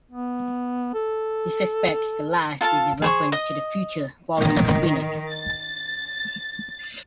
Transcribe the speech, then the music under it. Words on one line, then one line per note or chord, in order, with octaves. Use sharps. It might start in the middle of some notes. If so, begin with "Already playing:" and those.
He suspects the last is a reference to the "Future" volume of "Phoenix".
B3
A4
F4 A4 F5 A5
G#4 C5 C#6
D#5 D#6
D#3
A6